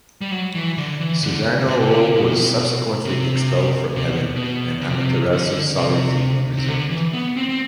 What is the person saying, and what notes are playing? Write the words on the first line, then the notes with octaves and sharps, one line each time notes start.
Susano-o was subsequently expelled from heaven and Amaterasu's sovereignty resumed.
G3
F#3
E3
D3
E3
D3
C3
C3
D3
B2
C3
C3
B2
B2
D3
C3
D3
C3
C3
D3
E3
B3
C4
C4